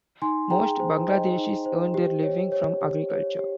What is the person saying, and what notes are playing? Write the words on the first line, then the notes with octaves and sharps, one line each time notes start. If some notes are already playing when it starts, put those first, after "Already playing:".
Most Bangladeshis earn their living from agriculture.
D#4 G#5 C6
G#4 G5 A#5
C5
C5 D#5 G5
D#4
C5
G4
C#5
C#5
G4
C#5
G4